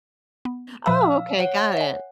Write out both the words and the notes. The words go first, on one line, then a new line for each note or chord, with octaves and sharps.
Oh, okay, got it.
B3
A#2 F3 E5 F5 E6
C#5 F#5
E5 G#5